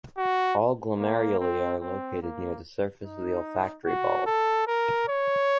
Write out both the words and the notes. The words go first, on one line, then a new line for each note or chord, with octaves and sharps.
All glomeruli are located near the surface of the olfactory bulb.
F#4
A#3
C4
C4
A#3
D#4
F#4
A4
A#4
C#5